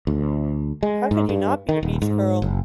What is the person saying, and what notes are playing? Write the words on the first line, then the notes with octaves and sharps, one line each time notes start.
How could you not be a beach girl?
D2
G#3
G#2
G2
D#3
D#1
G#2
F#1